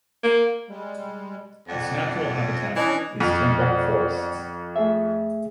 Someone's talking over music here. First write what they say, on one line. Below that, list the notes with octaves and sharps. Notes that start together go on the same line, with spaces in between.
Its natural habitat is temperate forests.
A#3
G3 G#3
F2 D5 F#5
E3 C#4 D4 D#5
F2
C5 D5 F#5
A3 G#4 E5